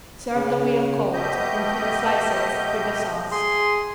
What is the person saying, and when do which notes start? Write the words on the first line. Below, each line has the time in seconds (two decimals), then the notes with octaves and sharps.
Serve the veal cold, in thin slices, with the sauce.
0.35 C#3
1.13 B2 A3 G4 D#5 G6
3.32 G#4 C6